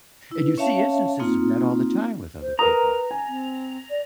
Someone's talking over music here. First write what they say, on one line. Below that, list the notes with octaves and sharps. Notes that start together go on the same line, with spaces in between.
And you see instances of that all the time with other people.
E4 B4
C#4 C#5 E5 F5 A5
A#3 C4 D#4 F4
C5
A#4 B4 A#5 D#6
G#5
C4
D5